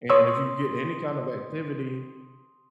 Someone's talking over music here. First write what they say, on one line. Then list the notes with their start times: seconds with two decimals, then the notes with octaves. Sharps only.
and if you get any kind of activity
0.10 C#5 C6 C#6 D#6 E6